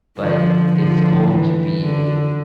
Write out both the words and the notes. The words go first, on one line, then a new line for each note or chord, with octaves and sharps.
But, it's going to be a
D3 F3
D3 F3
E3
D3